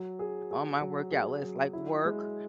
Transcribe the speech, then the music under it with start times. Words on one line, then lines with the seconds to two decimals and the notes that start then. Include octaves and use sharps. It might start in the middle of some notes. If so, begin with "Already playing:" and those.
on my workout list, like, Work,
Already playing: F#3
0.19 G#4
0.51 G#4
0.81 F#3
1.11 G#4
1.42 F#3
1.73 E4
2.05 G#3